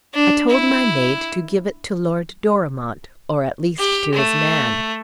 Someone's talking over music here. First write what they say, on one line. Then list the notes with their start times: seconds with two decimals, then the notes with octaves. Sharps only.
I told my maid to give it to Lord Dorimont--or at least to his man.'
0.14 D4
0.50 E4
3.78 G4
4.15 A3